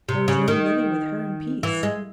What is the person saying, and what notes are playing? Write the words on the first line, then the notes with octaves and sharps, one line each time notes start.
There was no living with her in peace.
C3
C#3
D#3
E3
G#3